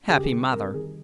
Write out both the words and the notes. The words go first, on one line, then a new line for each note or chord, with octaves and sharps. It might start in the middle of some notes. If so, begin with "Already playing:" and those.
Happy mother!
C#3 G#4
G4
G#4
G3
C3 A#4
D#3 G3 G#4